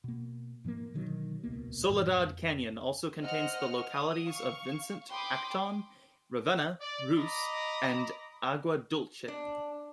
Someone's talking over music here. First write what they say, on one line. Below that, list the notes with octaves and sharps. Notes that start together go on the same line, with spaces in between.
Soledad Canyon also contains the localities of Vincent, Acton, Ravenna, Russ, and Agua Dulce.
B2 A#3
G#2 F3 A3 A#3
B2 D3 D#3 F#3
D#1 C#2 B2 A#3
G2 A#2 E3 G3
F2
C5 D#5 F#5 F6
D#6
F5 C#6
G5 B5 C6 D6 D#6
D5
D#5 A#5 B5 D6
D4